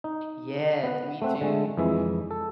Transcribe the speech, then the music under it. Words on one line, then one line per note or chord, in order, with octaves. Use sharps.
Yes, me too. Mm.
D#4
B3 F#5
A3 C4 F#5
D3 G#3 A3
F2 E3 G#3 E5
A4